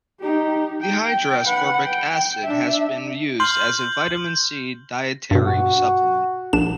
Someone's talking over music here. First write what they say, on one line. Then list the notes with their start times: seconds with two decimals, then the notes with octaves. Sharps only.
Dehydroascorbic acid has been used as a vitamin C dietary supplement.
0.20 D#4 G4
0.82 G5
1.47 B4 F#5
1.84 G5
2.45 D4 E5
3.40 C6 F6 G6 F#7
5.31 G2 B2
5.46 F#4
6.53 A#1 D4 E7